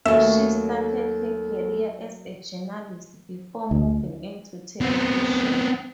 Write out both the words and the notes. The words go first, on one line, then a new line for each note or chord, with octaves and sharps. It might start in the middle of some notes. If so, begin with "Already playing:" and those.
She started her career as a journalist before moving into television.
D#2 F#3 A3 C#4 A4 E5
D2
B3 C4